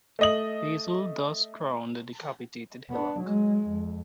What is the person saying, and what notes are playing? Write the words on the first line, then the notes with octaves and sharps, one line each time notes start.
Basil thus crowned the decapitated hillock.
A3 D#5 F#7
B3 D4
F#3 G#3
F2